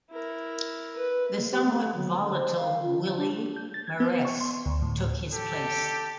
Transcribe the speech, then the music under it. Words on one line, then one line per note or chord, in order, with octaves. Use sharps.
The somewhat volatile Willy Mairesse took his place.
E4 A#4
B4
A#3
G4
A3
F#3
D3
C5
F5
F4
F3
D4
G6
A6
G#6
B3
C#6
C6
D2
A2
G4 A4